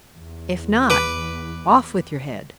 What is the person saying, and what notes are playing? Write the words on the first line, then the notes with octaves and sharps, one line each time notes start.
If not, off with your head.'
E2
B4 D6